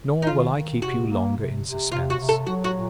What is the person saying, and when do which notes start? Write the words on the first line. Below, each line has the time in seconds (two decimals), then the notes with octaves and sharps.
Nor will I keep you longer in suspense.
0.22 D#4
0.27 D#3 F4
0.55 D#3
0.82 C3 F#4
1.10 A#3
1.37 C3
1.64 C3
1.92 C3 F4
2.10 F#4
2.19 C3
2.29 A4
2.46 F#3 F#4
2.64 F#4
2.74 A#2